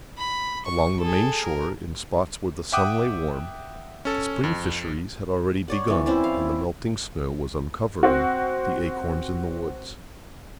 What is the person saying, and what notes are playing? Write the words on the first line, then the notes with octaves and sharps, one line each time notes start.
Along the main shore, in spots where the sun lay warm, the spring fisheries had already begun, and the melting snow was uncovering the acorns in the woods.
B5
C#6
G#4 A4
A#4
E5 F#5 G5 D6 D#6 F#6
C#4 A4
F2
C#5 D5 F#5
E3 B3
C4 C#4 E4 D5
F5
C4 F#4